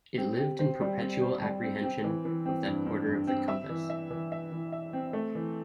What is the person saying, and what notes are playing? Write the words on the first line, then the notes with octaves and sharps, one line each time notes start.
It lived in perpetual apprehension of that quarter of the compass.
C4
G4
C5
G3
C4
C5
G3
C4
C4
E3
E3
C4
G2
G2
G2
C4
E5
E3
E5
E3
E5
E3
E5
C4
A3
E3